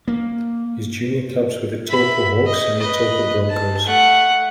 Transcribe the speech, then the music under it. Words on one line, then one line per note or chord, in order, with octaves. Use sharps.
His junior clubs were the Taupo Hawks and Taupo Broncos.
A#3
E5 B5
D#5
B4 D#5
A5
A3 F#5